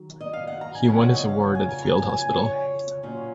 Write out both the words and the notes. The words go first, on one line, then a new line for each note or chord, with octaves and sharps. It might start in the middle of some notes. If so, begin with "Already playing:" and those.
He won his award at the field hospital.
Already playing: D#3 F#3
D#5
F5
F#5
A#5
G#5
F2 C#3 F#3 C#4 F4 F#5
F#5
D#5
F5
F#5
G#5
A#5
A#5
G#5
G#5
G#5
C#5
A#2 F#3 C#4 F4